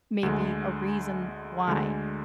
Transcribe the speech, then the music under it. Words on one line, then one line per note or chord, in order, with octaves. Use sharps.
maybe a reason why,
D2 D3 G#3
D2 D3 G#3